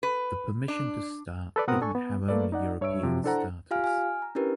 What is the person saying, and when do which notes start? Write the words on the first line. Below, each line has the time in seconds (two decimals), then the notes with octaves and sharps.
The permission to start didn't have only European starters.
0.03 B4
0.68 D4
1.56 A4 B4 D5
1.68 B2 B3 C4 A#4 F#5 D#6
1.81 D4 A4 G#5 C#6
1.95 B3
2.28 A3 A#3 A4 B4 D5
2.52 D#4 D5 F#5
2.81 G2 C#5 E5 E6 D7
3.03 C3 F3 F#3
3.24 D4 E4 A4 C5 F#5 A#5
3.71 F4 G4 F5 G#5 F6
3.84 G#5 F6
4.22 A#5
4.35 C#4 D4 E4 G4 A#4 B4